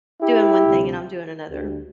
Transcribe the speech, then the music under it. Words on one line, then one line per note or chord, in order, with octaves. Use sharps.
doing one thing and I'm doing another.
E4 G4
D2 C3 G3
D2 D3 G3